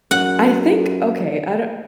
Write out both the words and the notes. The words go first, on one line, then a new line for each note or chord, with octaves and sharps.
I think okay, I don't
F#2 F#5